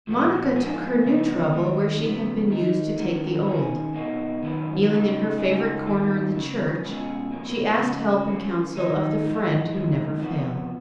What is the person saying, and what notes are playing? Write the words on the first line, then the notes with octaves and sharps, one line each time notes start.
Monica took her new trouble where she had been used to take the old. Kneeling in her favourite corner in the church, she asked help and counsel of the Friend Who never fails.
A#2 F3 B3 F#4
G#2 F3 A#3 F4 G#4
C#3 F3 B3 D#4
D#3 G#3 D#4
C#3 F3 B3
D#3 A#3 D#4 A#4
D#3 A#3 C#4 F#4 A#4
D#3 A#3 C#4 G#4
B2 A#3 D#4 F#4
F#2 D#3 A#3 F4 B4
C#3 G#3 D#4
C#3 G#3 D#4 G#4
G#2 D#3 A#3 F4
C#3 F#3 A#3
B2 G#3 C#4 F4 G#4
B2 F#3 A#3
C#3 F3 G#3 C#4 F#4
F#3 A#3 C#4
D#3 A#3 D#4 A#4
G#2 F3 G#3
F#2 D#3 G#3
F2 F3 B3 F#4